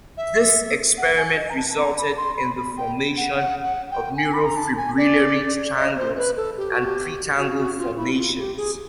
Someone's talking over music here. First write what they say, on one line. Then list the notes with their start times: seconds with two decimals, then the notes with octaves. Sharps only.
This experiment resulted in the formation of neurofibrillary tangles and pretangle formations.
0.17 E5
0.98 F#5
1.17 G#5
1.36 D#5
1.50 A#5
1.56 A5
1.70 A5
1.77 A#5
1.98 B5
2.17 C6
2.37 B5
2.57 B5
2.78 G5
3.17 F#5
3.37 F#5
3.63 F#5
3.91 G5
4.17 G#5
4.33 B5
4.46 A#5
4.57 A5
4.77 G#5
4.97 D5
5.77 D#5
5.97 C5
6.17 B4
6.37 A4
6.57 G4
6.72 F#4
6.85 G4
7.38 F#4
7.58 F#4
7.78 F4
7.97 E4
8.17 F4
8.37 G4
8.57 G#4